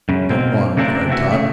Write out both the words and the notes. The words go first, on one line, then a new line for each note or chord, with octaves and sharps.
"Don't want 'em!" cried Tot.
F#2 C#3
B2 A#3 C4
C#3 A3 A#3 C4 D4 A#4
C3 E3 D#4 F#4 E5
C#3 A3